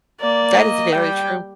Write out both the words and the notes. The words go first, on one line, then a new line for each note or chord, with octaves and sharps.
That is very true.
A#3 D5
D#5
G3 G5